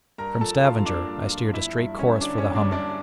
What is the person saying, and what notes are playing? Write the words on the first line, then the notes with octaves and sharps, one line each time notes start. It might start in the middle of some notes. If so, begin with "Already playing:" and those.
From Stavanger I steered a straight course for the Humber.
G2 A#4 A#5
F3 A4 A5
D4 F4 F5
A#3 D4 D5
G2
F3
G1 E4 E5
G2
G1 C#4 C#5
D3 D4 D5
C#4 C#5
G1
D4 D5
G2 D4 D5